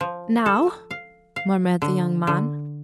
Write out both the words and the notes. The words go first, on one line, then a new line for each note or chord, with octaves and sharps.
"Now," murmured the young man.
F3
A4
F5
F5
D3
D3